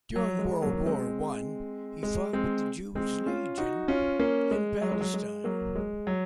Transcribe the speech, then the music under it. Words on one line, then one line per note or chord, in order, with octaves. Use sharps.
During World War One, he fought with the Jewish Legion in Palestine.
F#3
G#3
F#3 A#3
G#3 C4
G#3
G#3 C4
G#3 C4
C#4 F4
D#4 F#4
C#4 F4
A#3 C#4
G#3
F#3
G#3
F#3
G#3
F#3 A#3
G#3
F#3